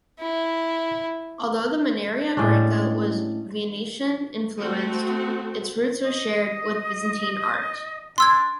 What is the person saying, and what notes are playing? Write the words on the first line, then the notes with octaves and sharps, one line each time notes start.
Although the maniera greca was Venetian influenced its roots are shared with Byzantine art.
E4
A2 G#3 C#4 D4
A3 C4 F#4
D#5
D4 C6 E6 G#6